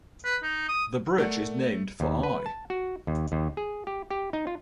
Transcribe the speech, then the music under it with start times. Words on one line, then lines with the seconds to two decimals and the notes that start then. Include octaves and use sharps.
The bridge is named for I.
0.25 B4
0.43 D#4
0.69 D#6
1.18 A3 A#4 D5 F#5
2.00 D#2
2.23 B4
2.46 A5
2.70 F#4
3.07 D#2
3.32 D#2
3.57 G#4
3.87 G4
4.10 G4
4.33 D#4
4.47 F4